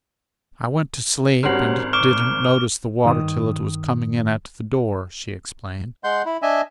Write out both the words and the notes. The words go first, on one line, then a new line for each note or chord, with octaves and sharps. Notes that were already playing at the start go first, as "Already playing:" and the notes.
"I went to sleep and didn't notice the water till it was coming in at the door," she explained.
G#1 G3 C#4 F#4 C5 F6 C7 F#7
C#6 D6 F6 D7 E7
G2 D#3 D#6
G#3 F#5 C6 G6
E4
D4 D#5 E5 G#5